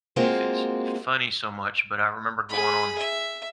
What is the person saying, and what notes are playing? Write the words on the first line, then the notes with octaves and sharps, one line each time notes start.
if it's funny so much, but I remember going on
G#3 A#3 C4 F4 F#4
G#4 B5
E5